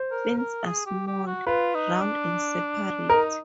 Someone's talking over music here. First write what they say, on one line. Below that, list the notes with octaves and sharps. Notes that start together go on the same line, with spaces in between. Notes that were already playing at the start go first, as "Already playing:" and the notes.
Fins are small, round and separate.
Already playing: C5
A#4
A#4
G#4
G4
G4
F#4
F4 B4
D#4
D4
D#4 A#4